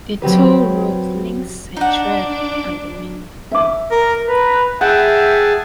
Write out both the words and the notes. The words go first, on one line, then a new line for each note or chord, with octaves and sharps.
A toll road links Centrair and the mainland.
F#3 C4 G4 B4
D4 D#4 F#5
E5 D6
A#4
B4 A#5
G#4 E5 F#5 G5 A5